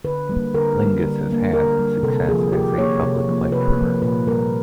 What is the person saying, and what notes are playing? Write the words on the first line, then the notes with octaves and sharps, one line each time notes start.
Lingis has had success as a public lecturer.
D3 B4
G3 A#3
D3 A#4
G3 A#3
D3
G3 A#3
D3 A#4
G3 A#3
C3 A4
F3 A#3 G#4
C3 G4
F3 A#3 C#5
C3
F3 A#3
C3 B4
F3 A#3
A#2 B4
G3 A#3 A#4